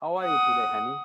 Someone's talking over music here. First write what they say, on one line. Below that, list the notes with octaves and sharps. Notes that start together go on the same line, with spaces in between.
How are you today honey?
F#5 D#6